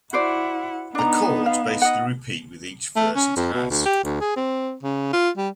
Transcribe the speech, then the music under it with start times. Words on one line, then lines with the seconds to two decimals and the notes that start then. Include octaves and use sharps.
The chords basically repeat with each verse it has.
0.13 E4 F#4 C5 D5 F#5
0.95 B3 D4 D#4 A#5
1.46 F5
1.82 D#5 F#5
2.96 A3
3.16 C#4
3.36 F2
3.54 B2
3.70 D2
3.86 G4
4.04 D2
4.21 G#4
4.37 C4
4.83 C#3
5.13 F4
5.38 G3